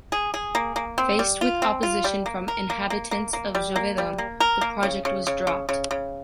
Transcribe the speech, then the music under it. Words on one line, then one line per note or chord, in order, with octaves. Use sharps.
Faced with opposition from inhabitants of Gévaudan, the project was dropped.
G#4
G#4
A#3
A#3
C4
G3
F4
C4
F4
G3
A#3
A#4
A#3
A#3
A#3
A#3
G3
A#3
G3
A#3
A#4
A#3
C#3
C#3
C#3
C#3
C#3
C#3